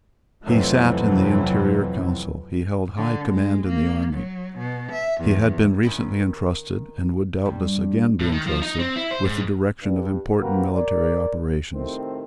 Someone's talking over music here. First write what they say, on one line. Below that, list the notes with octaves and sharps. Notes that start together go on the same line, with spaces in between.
He sate in the interior council; he held high command in the army; he had been recently entrusted, and would doubtless again be entrusted, with the direction of important military operations.
F2 C3 E3 F#3 A3
D3
G#3
A#3
F#3
B2
E5
E2
D#3 C#4 E4
G2
A2
D#3
F3
D#4
C4
E4
C5
G#2
G2
A#3 C4 F#4 G4 A#4 B4
A#4 D5
A2 C3 D#3 C4